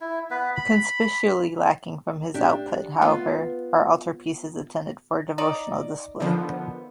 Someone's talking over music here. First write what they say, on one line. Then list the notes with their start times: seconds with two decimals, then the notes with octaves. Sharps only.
Conspicuously lacking from his output, however, are altarpieces intended for devotional display.
0.01 E4
0.31 B3 B4
0.56 B5
2.34 D4 G4
3.02 B3 F4
5.38 D#4 D5
6.20 D3 D#3 F3 B3